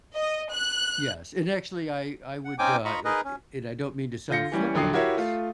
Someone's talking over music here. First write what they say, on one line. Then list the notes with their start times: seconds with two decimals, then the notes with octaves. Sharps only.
Yes, and, actually, I I would, uh, it it and I don't mean to sound flip on this.
0.14 D#5
0.52 F#6
2.45 F#5
2.59 C4 C#4 D#4 G5 G#5 D6
2.85 F4 D#5 A#5 B5 C#6
3.05 D#4 G#4 A#4 B4 D#5
3.24 C#4
4.30 D3 F4 G6 A#6 C#7
4.52 E3 G3 C#4
4.74 A#1 D3 F#3 G5 D#6 C7
4.93 E4 F#4 G4 A#4 C#5 E5
5.17 A3 F4